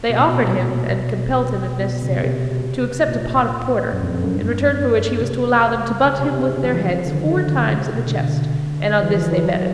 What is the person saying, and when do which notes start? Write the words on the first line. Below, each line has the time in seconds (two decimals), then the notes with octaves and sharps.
They offered him, and compelled him, if necessary, to accept a pot of porter, in return for which he was to allow them to butt him with their heads four times in the chest, and on this they betted.
0.10 B2
0.19 A#2
0.28 B2
1.81 B2
2.02 C#3
2.08 C3
2.16 B2
2.24 C3
3.07 A#2
3.92 F#2
4.03 F2
4.14 F2
4.24 F#2
4.34 G2
5.20 C3
6.05 C#3
6.19 C3
6.33 C3
6.47 C#3
6.57 C3
6.63 F3
6.68 E3
6.80 F#3
6.90 F3
7.06 D3
7.11 D#3
7.31 D3
7.54 C#3
7.74 C3
7.95 B2
8.07 D3
9.02 E3
9.16 F3
9.31 E3
9.45 F#3